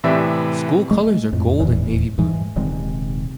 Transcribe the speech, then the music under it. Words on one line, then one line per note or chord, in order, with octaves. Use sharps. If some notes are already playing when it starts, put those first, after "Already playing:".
School colors are Gold and Navy Blue.
A2 C3 E3 D5 E5
G#3 A3
F2 A2
D#1 E2 E3
G#2 E3 G#3
D#1 D#2 C3 G#3